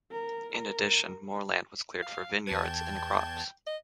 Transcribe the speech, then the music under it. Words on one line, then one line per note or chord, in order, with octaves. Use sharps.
In addition, more land was cleared for vineyards and crops.
A#4
A#4
F5
E2 B4 A5 G#6
G5
D#5